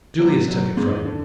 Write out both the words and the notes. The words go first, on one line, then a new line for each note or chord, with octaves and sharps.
Julius took it from him.
F#3
F#3
G#2
D3